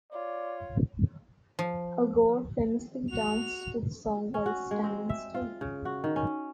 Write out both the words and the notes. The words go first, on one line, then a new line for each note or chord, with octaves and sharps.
Al Gore famously danced to the song while standing still.
F4 C#5 D5
F3
F#4 F7
C#4
F#4
G#3
C4
E5
F4
C#3
F#4
D#3
C#4